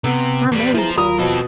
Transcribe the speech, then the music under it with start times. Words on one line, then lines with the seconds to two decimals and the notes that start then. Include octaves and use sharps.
My mammy tole me.
0.04 C3 B3
0.52 E2 G3
0.74 F3 E4 G#4 C5 A#5
0.98 D#2 F4 A#4 B5 D#6
1.19 B2 C4 A4